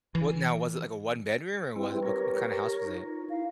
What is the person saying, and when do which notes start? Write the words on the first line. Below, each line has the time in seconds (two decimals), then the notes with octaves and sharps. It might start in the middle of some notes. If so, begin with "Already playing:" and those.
What now was it like a one bedroom or was it what what kind of house was it?
0.15 E3
1.76 G3 C4 E4 B4
2.03 G4 A#4 C#5
2.86 D#4 F4
3.30 E4 F5